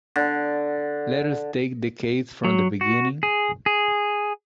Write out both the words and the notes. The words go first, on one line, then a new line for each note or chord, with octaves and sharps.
Let us take the case from the beginning.
D3
F#3
F#4
G#4
G#4